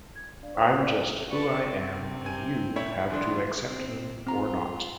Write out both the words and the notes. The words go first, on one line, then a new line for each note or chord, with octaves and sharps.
I'm just who I am and you have to accept me or not.
G#6
D4 D5 F5
C5 F#5 C#6
A#4 C5 D5
D5 D6
B4 D5 A5 C#6
C4
C3
G#5
E4 C#5 E5
E2 D3 D4 F4
C4
C4 F4 A#5